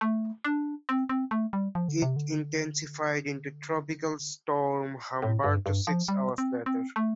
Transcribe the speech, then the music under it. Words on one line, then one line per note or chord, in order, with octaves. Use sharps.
It intensified into Tropical Storm Humberto six hours later.
A3
D4
C4
C4
A3
G3
F3
D3
C3
D3
A2
G2
G2
F3
G3
C4
C4
A3